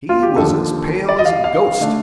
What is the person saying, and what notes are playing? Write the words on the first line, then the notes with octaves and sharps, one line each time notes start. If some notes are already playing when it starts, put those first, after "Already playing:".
He was as pale as a ghost.
F4
G4
D#2 D3 F3 A4
D5
D#5
F5
F5
D3 A3 D4